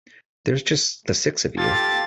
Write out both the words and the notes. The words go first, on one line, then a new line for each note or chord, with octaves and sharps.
There's just the six of you.
F4 G4 A4 A6